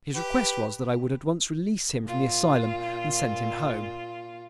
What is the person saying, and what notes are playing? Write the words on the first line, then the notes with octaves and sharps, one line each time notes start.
His request was that I would at once release him from the asylum and send him home.
G4 B4
A#2 F4